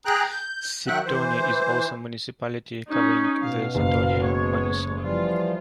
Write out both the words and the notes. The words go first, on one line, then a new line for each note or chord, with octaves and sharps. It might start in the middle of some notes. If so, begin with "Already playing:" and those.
Sithonia is also a municipality, covering the Sithonia peninsula.
G#4 G5 A#5 F#6
G6
D#3 F#3 E5 F#5 G5 F#6
E3 C5
C#4 D#4
B2 F5
F#1 F5
G#3 C#5
E3 F3 G3 F4